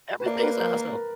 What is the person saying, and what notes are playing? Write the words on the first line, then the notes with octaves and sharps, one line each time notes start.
Everything is a hustle.
B4
A#3 D5
A#4
B4
A#4
A#4
A#4